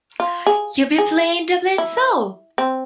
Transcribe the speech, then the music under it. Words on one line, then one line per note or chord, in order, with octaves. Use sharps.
You'll be playing Dublin Soul!
F4
G#4
G#4
E4
C4